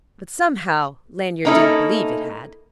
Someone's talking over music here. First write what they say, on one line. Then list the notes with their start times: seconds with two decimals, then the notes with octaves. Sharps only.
But somehow Lanyard didn't believe it had.
1.45 A#3 C#4 D#4 E4 A4